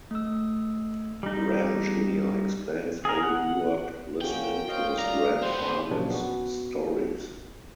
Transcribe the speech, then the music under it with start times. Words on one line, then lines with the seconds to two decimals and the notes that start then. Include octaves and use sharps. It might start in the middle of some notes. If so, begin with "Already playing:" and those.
Ram Junior explains how he grew up listening to his grandfather's stories.
0.11 A3 E6
1.23 G3 D#4
3.05 G#4 A#4
3.23 F#5
4.21 A#3 C#4 F#4 G5
4.69 A#3 C4 C#5 D#5 F5
4.99 D3 G3 D5 A#5
5.42 B3 C4 C5
5.90 A#2 C#3 F3 F#3 C#4 D4
6.10 B3 F#4